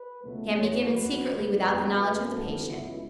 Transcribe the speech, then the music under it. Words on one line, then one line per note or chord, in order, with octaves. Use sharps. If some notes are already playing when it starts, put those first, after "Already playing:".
Can be given Secretly without the knowledge of the patient.
Already playing: B4
C#2 B2 F#3 A3
F#1 E2 B2 A3 C#5
F#2 F#3 B3 B4
F#1 E2 B2
F#1 F#2 E3 B3 B4
F#2 C#3 A3
F#1 F#2 E3 B3 A4
C#2 B2 B3 E4